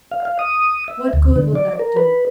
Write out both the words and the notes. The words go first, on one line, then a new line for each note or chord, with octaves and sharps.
"What good will that do?"
F5
F5
D#6
E5
D2
D3
D5
A#4
B4